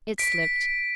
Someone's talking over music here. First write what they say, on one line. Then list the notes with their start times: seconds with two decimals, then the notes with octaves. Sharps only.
'It slipped.
0.18 B6 D7